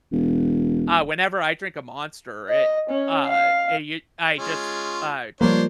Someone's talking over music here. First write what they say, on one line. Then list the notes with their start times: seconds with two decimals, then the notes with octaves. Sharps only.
Uh, whenever I drink a Monster it, uh, it, you I just, uh,
0.12 E1
2.49 D#5
2.89 C#4
3.27 F5
4.38 G#3 C#4 F4
5.41 F3 G3 A#3 D4 C5 C#5